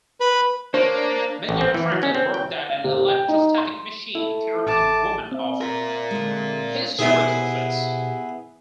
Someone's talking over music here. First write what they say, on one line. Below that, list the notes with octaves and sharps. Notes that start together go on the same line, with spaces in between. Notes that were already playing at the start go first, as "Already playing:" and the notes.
Benjamin Franklin wrote that an electrostatic machine cured a woman of hysterical fits.
B4
A#3 D4 C5 C#5
A1
C4
E3
F#3
C#4
C4
G5
F5
C3
G5
D#4
C6
A3 E4
A1 A5 D6
C4 E5
F4 A#4
D3 G#3
B2 B3 E4 G4 G#4 C5